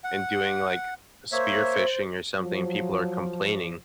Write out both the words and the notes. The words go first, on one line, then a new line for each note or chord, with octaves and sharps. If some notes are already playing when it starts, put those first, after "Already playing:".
and doing like, spearfishing or something, people are complaining.
F#5
A#3 C5 C#5 E5
F3 F#3